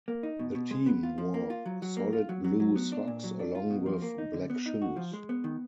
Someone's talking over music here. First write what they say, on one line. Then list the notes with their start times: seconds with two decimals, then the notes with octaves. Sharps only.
The team wore solid blue socks along with black shoes.
0.08 A#3
0.23 D#4
0.39 B2
0.55 B2
0.71 G#3
0.86 B3
1.03 F4
1.18 F3
1.34 A#3
1.50 F4
1.66 F#3
1.82 F#3
1.97 A#3
2.13 F4
2.29 F#3
2.44 F#3
2.60 F#3
2.76 B3
2.92 D4
3.08 A#2
3.24 F#3
3.39 D4
3.55 F4
3.70 B2
3.86 F3
4.02 A#3
4.18 D#4
4.34 D3
4.50 B3
4.66 D#4
4.82 F#4
4.96 F3
5.13 G#3
5.29 B3
5.44 D#3